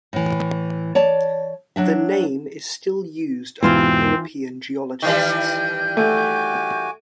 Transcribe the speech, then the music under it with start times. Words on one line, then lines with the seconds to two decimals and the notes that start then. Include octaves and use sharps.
The name is still used among European geologists.
0.13 A2 E3
0.95 C#5 D5 A5
1.76 F#3 D4 E5
3.63 E2 G#2 B2 E3 C4 F4 C5
5.02 D#3 E3 G3 G6
5.97 A3 F#4 G#5 D6